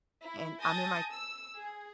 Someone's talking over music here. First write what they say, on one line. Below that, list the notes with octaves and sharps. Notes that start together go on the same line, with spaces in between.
and I'm in my
E4
G#5 A5 D#6 G6 A6 A#6
E6
G#4